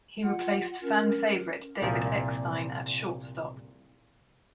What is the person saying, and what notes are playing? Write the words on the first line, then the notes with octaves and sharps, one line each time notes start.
He replaced fan favorite David Eckstein at shortstop.
F4 F#5
C#4 A#4
C2 A#2 F3